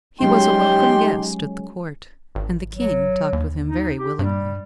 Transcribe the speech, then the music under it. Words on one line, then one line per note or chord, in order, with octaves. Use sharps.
He was a welcome guest at the Court, and the King talked with him very willingly.
F#3 G#3 C#4 D#4 G4 G5 C6
G#1
F#3
D#2
D#4
G4
G2 G3